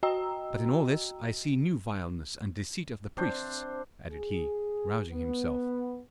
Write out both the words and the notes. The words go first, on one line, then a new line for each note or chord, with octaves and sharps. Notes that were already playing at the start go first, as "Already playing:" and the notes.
"But in all this I see new vileness and deceit of the priests," added he, rousing himself.
F#4 D#5 G5 A#5 E6
C4 D4 C5 E5
G#4
B3